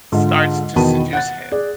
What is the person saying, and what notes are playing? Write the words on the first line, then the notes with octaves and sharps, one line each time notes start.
starts to seduce him.
G#2 D3 F4
E2 B2 D#3 A5 B5 D#7
F#5 F#6 A6
G#4 D5